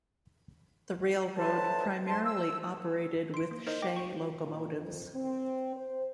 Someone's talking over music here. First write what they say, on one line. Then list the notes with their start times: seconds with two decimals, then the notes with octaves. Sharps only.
The railroad primarily operated with Shay locomotives.
1.37 D2 E3 F#3 B4 C5 A5
2.08 G#2 A5 C6
2.25 E6
3.34 C6 D7
3.51 A#3
3.67 D#4 A#4 C5 D#5
3.82 G5 D6 A#6
3.96 C#6
4.42 A#2
4.75 F2
5.15 C4
5.76 C5